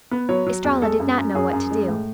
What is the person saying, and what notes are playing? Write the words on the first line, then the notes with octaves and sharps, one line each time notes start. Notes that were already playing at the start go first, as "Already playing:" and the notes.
Estralla did not know what to do.
B3
F#3 C#5
F#3
E2
G#3 A4
F#2
F#2
F#2 G#4
F#2
G#3
A2